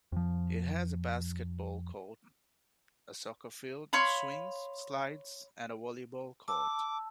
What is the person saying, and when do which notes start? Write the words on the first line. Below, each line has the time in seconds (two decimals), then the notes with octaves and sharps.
It has a basketball court, a soccer field, swings, slides, and a volleyball court.
0.12 F2 F3
3.93 C#5 F5 B5 C6
6.48 A5 D6 E6